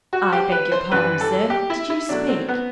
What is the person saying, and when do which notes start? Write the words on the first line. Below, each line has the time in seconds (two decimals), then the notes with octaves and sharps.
I beg your pardon, sir, did you speak?
0.13 F#4
0.32 G4
0.52 B4
0.72 C5
0.91 F#2 E3 G3 B4
1.21 A4
1.50 G4
1.70 E4
1.90 E4
2.09 B2 F#3 A3 D4
2.29 C4
2.48 B3